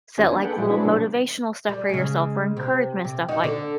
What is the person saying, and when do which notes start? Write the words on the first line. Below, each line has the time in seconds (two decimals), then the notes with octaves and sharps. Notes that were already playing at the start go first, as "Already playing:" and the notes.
set, like, little motivational stuff for yourself or encouragement stuff, like
0.18 D#2 C#4 F4 G4 G#5
0.31 A#3 D4
0.44 G#4 A4 B4 F#5 G5
0.58 A#2 F3 G3 E4 F#4 G#4
0.70 C4 D4 E4 F#4 G#4 B4
0.85 B2 D3 F3 G3 A#3 D4
1.69 G3
1.89 C#3 G#3
2.57 C3
3.05 C3
3.29 D#4 F#4
3.44 D3